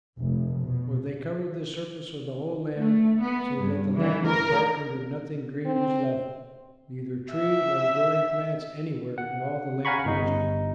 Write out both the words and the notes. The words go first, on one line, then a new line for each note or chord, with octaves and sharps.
For they covered the surface of the whole land, so that the land was darkened and nothing green was left, neither tree nor growing plants, anywhere in all the land of Egypt.
F1
B2
A3
B3
G2
E3
A#4
C4
E5
F#5
F5 F#5 G#5 A#5 B5 C#6
G1 D#4